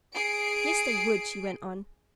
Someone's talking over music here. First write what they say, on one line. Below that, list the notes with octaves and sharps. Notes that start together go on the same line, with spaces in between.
"Yes, they would," she went on.
G#4 C7 D7